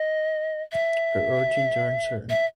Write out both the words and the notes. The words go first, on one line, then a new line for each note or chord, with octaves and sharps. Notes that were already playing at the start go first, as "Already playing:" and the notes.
Her origins are uncertain.
Already playing: D#5
E5
E5